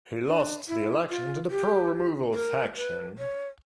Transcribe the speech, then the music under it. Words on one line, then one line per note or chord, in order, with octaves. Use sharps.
He lost the election to the pro removal faction.
D4
E4
F4
G4
A#4
B4
C#5